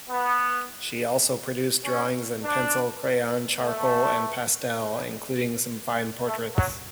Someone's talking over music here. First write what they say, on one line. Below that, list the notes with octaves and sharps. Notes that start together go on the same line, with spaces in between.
She also produced drawings in pencil, crayon, charcoal and pastel, including some fine portraits.
B3
C#4
D4
A3
A3
F#3